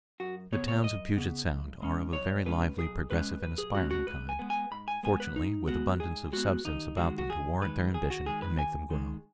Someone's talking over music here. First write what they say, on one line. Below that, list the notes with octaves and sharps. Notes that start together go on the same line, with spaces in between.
The towns of Puget Sound are of a very lively, progressive, and aspiring kind, fortunately with abundance of substance about them to warrant their ambition and make them grow.
F#2 F#4
C#3 B3 C#5
C#5
F#2 D#5
C#3 B3
B1
B2 G#3 C#4
B1 C#5
B2 G#3 C#4 B4
B1 G#4
B2 G#3 C#4 B4
B1 B4
G#4
B2 G#3 C#4 F#4
F#4
G#2 B4
G#5
G#3 B3
G#5
G#2 B5
G#5
G#3 B3 G#5
B4
G#2 D#4
G#3 B3 F#4
G#2 G#4
G#3 B3 F#4
D#2 D#4
D#3 G#3 F#4
F#4
D#2 G#4
D#3 G#3 B4
D#2 G#4
F#4
D#3 G#3 G#4
B4
D#2 G#5
D#3 G#3